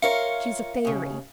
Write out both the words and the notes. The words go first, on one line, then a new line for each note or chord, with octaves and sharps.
She's a fairy.
F4 A#4 C#5 E5 F5 C#7
D#2 C#3